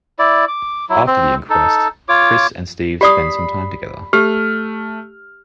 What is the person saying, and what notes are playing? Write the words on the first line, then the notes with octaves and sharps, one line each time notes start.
After the inquest Chris and Steve spend some time together.
E4 D5
D6
F#3 E4
C4
D#4 A4
F4 C#5 D6
G4 D5 B5 D#6 C7
A3 G4 F6